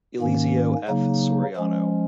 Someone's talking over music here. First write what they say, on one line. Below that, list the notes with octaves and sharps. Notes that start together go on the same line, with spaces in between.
Eliseo F. Soriano.
G#2 D#3 A#3 C#4
C#3 F#3 A#3 D#4
F3 G#3 C#4